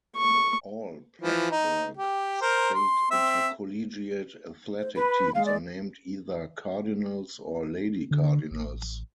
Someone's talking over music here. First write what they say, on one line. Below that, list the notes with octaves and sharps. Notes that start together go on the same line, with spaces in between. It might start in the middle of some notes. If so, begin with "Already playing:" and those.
All Plattsburgh State intercollegiate athletic teams are named either Cardinals or Lady Cardinals.
C#6
E3 F3
D#4
G4
A#4 C5
C6
C4 E5
C5
B4 B5
G#3 F5
D5
D3
A1